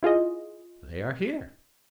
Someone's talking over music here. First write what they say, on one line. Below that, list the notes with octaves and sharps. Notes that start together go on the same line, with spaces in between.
"They are here."
E4 F4 G#4 D#5